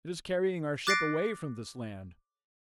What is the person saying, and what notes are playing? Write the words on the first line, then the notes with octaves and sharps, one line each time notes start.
It is carrying our ship away from this land.
D6 F#6 A6 A#6 C7 D7